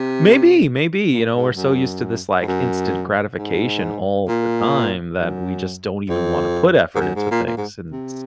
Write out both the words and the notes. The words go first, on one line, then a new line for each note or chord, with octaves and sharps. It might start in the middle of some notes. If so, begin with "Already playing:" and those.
Maybe, maybe, you know, we're so used to this, like, instant gratification all the time that we just don't even wanna put effort into things, and it's
Already playing: C3
A#2
G#2
F#2
G#2
F#2
G#2
A#2
F#2
F2
G#2
F#2
G#2
A#2
A#2
G#2
C3